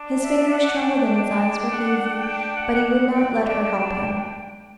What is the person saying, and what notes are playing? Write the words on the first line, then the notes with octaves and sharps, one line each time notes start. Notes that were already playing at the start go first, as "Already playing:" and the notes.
His fingers trembled and his eyes were hazy, but he would not let her help him.
Already playing: D4
E5
F#5
G5
G5
G5
F#5
G5
F#5
F#5
G5
D4